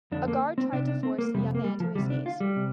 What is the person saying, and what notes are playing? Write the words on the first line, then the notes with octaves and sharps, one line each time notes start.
A guard tried to force the young man to his knees.
F2 D3 D4
A#3
C4
C2 C3 D4
D4
C4
A#3
F2 C3 G3
A#3
G3
F3
D2 C3 G3
D4
F4
G3
C3